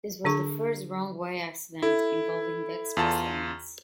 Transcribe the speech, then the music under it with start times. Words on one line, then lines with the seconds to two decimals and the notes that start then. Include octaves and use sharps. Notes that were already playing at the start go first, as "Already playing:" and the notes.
This was the first wrong-way accident involving the express lanes.
0.25 D3 D4 G#4 C#6
1.82 E4 A4
2.97 E2 F4 A5